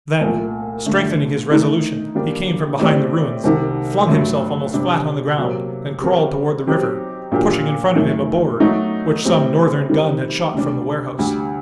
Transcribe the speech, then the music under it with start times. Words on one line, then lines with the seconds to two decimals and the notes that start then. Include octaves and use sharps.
Then, strengthening his resolution, he came from behind the ruins, flung himself almost flat on the ground, and crawled toward the river, pushing in front of him a board, which some Northern gun had shot from the warehouse.
0.21 C2 A#2 A3
0.86 G2 D3 A3
1.50 D#3 A3 D#4 A4
2.15 D3 G3 A#3 D4 G4
2.80 A2 A3 C4 G4 D5
3.44 C2 C3 D#3
4.09 G2 F#3 A3
4.74 C3 G3 D4
5.38 C3 F#3 A#3
6.02 G3 C4 F#4 A#4
6.67 F#3 C4 D#4 G4
7.32 A#2 F#3 A#3 D4 G4
7.96 F#2 D#3 A3
8.60 F#3 A3 D#4 F#4
9.25 A2 G3 C4
9.90 D#3 G3 C4
10.53 D2 C3 G3 D4
11.19 D2 D3 G3